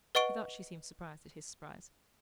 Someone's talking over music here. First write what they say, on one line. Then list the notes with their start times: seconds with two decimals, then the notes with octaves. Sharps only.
He thought she seemed surprised at his surprise.
0.15 B4 D#5 F#5 C#6 D7 G7